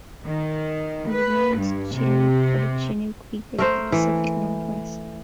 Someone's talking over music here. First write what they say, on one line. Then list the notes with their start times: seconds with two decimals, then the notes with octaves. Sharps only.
It was named "Chinook" for the Chinook people of the Pacific Northwest.
0.25 D#3
1.09 B4
1.55 G2
1.95 C3
3.58 A3 A#4 C5
3.92 E3